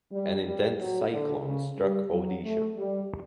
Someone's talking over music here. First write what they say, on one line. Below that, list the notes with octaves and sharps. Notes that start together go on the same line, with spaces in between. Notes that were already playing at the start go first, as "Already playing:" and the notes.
An intense cyclone struck Odisha.
G3
G3
F#3
D3
C#3
G3
F#3
A3
G3